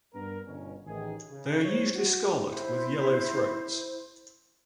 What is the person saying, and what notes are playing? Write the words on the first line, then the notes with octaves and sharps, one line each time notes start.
They are usually scarlet with yellow throats.
G2 B3 A#4
G1 B2 C#4
A1 D#3 G#4
C#3
E4 C5 C#5
F#4
E4 C5